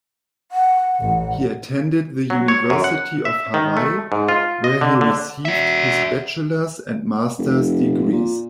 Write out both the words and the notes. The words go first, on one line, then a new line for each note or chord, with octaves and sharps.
He attended the University of Hawaii, where he received his bachelor's and master's degrees.
F#5
A1
F#3
C#5
F#2
F#5
E5
D#3
A3
G#2
F4
D#5
D3
D3
F#4 E5
F1
A#2